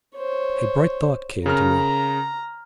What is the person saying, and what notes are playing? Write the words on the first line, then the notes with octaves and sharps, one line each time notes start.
A bright thought came to me.
C5 C#5
C#3 A#4 A#5 F6